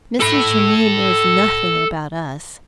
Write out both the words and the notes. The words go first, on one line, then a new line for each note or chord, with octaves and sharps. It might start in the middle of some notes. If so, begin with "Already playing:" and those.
Mr. Germaine knows nothing about us.
A4 B5